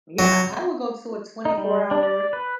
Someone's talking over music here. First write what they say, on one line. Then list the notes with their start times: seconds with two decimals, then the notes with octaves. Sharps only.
Yeah, I will go to a twenty-four-hour,
0.19 F#3
1.45 D#4
1.57 G3
1.91 D4
2.03 D5
2.33 B4